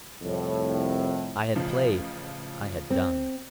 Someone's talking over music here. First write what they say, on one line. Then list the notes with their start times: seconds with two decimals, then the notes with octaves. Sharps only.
I had played--I had done.
0.21 C2 F2 A2
1.55 A1 C#3 F3
2.90 C4